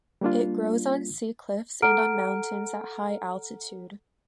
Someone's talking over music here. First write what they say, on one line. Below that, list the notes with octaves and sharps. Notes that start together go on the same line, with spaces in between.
It grows on sea cliffs and on mountains at high altitude.
G3 A#3 D4 F4
A4 F#5 A#5 F6 D7